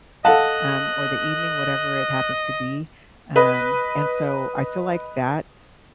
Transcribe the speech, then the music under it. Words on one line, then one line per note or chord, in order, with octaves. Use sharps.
um, or the evening, whatever it happens to be. Um, and so, I feel like that
A4 D#5 F5 F#5 A5 F#6
B4 D#5